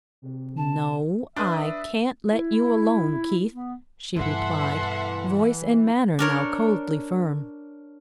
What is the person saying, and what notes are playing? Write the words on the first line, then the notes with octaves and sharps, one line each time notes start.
"No, I can't let you alone, Keith," she replied, voice and manner now coldly firm.
C3
A5
D4 B4 E5 D#6
E4
B3
G2 B2 E3 A4 B4 E5 F#5 C6
D4 A#4 C#5